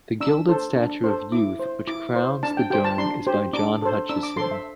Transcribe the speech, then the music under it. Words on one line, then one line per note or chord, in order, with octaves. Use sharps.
The gilded statue of Youth which crowns the dome is by John Hutchison.
D4 E6
A4 C5
D4
A4 C5
E4 D6
C5
E4 D6
C5
D4 A5
G5
G4 C5 G5
A5
D4 C6
G4 C5
D4 D6
A4 C5
D4 E6
D6
A4 C5 C6
E5